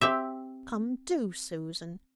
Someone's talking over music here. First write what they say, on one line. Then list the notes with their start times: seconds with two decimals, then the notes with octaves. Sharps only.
Come, do, Susan.
0.01 C4 G4 E5